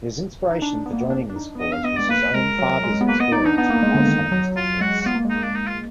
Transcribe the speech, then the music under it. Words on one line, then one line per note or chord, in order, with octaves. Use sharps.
His inspiration for joining this cause was his own father's experience with Alzheimer's disease.
D#4
D4
B3
A#3
B3
D4
D4
D#4
B3
D4 D#5
F5
B3 D#5
G#3 D5
A#3 B4
G#3 A#4
F#3
G#3
B3
A#3 B4
B3 D#5
D#4 D5
D4 D#4
B3 D#4
A#3
G#3
D3
D#3
F#3
F#3 F4
G#3 F#4
F#4
B3 F4
A#3
G#3
A#3 D#4
D4
D#4
F4